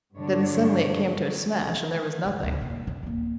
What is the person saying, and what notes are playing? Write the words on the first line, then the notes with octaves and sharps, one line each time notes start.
Then suddenly it came to smash, and there was nothing.
G2 D3 F#3 D4 C#5
F1
E1 D2
A#2
D#3 F3
D1 A#3